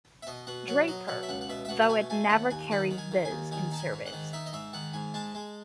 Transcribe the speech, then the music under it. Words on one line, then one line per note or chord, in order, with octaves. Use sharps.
Draper, though it never carried this in service.
E5
B2 D#5
B2 F#5
F#3 F#5
F#3 D#5
B2 F#5
E5
C#2 F#5
F#5
B2 E5
E5
B2 F#5
F#5
A3 G#5
A3 G#5
D#2 F#5
D#2 G#5
D#3 F#5
D#3
G#5
D#3
G#5
D#2
D#3 G#5
D#4 A5
G#5
G#2
F#5
D#3
D#4 E5
D#5
G#2 E5
D#3 F#5
G#2 G#5
G#3 A5
G#3